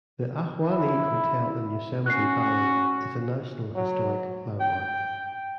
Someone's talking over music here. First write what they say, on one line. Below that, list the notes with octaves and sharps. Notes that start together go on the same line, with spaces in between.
The Ahwahnee Hotel, in Yosemite Valley, is a National Historic Landmark.
E4
C#4 F#4 F#6 C7
F#3
G5